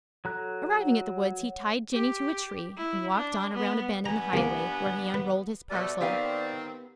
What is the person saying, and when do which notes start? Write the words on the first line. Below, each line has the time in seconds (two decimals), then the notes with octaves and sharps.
Arriving at the woods he tied Jinny to a tree and walked on around a bend in the highway, where he unrolled his parcel.
0.25 F#3 A4 A#5 F#6
0.79 C#5 F#5
1.93 G4
2.77 E4
3.16 D4
3.53 B3
4.06 G2 B3 G#5 A#5
4.33 C2 A#3
5.14 B4
5.70 B2 G3 A3 D5
6.00 D#3 B3 C4 G4 F5